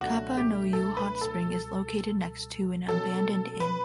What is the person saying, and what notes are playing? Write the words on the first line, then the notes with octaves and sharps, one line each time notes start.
Kappa-no-you Hot Spring is located next to an abandoned Inn.
C#2 B2 F#3 A3 D4 F#4
G4
A4
B4
A4
C#2 B2 G3
B2 F#3 C#4 A4
B4